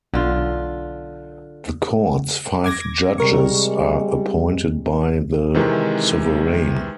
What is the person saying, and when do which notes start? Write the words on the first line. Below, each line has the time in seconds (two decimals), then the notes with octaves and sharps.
The Court's five judges are appointed by the Sovereign.
0.14 B1 D3 F4
2.64 D6 G#6 A#6
3.18 C3 G3 G#3 C4 A#4 C#6
5.54 C3 D#3 E3 G#3